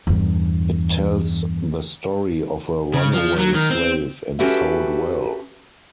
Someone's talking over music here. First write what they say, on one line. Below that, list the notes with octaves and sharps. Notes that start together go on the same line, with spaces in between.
It tells the story of a runaway slave, and sold well.
E2 G2
C#3
F3
F#3
D#3
C4
C#4 F#4 G4 A4 B4 E5